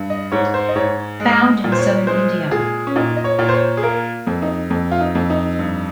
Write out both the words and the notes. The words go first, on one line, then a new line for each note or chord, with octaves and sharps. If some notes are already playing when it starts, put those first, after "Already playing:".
Found in southern India.
Already playing: G2
D#5
G#2 C#5
C5
D#5
G#2 C#5
G#3
A#2
C5
C#5
G#3 C5
A#2 G#4
C#4
A#2 D#4
D#5
C#5
A#2
C5
C#5
G#4
A#3 A#4
F2
D#4
F2
F4
D#4
F2
D#4
G2